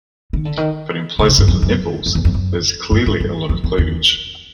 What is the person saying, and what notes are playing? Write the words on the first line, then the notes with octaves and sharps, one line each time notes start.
But in place of the nipples there's clearly a lot of cleavage.
D#3
D3
D#3
C#3
C3
G2
F#2
F#2
F2
E2
F2
F#2
G2
G#2
G2
F2
F2
E2